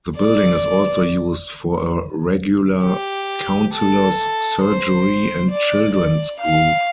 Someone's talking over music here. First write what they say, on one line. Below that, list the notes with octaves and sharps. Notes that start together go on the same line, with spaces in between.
The building is also used for a regular "Councillors' Surgery" and children's group.
D5
G4
A4
C5
D5
D5
F5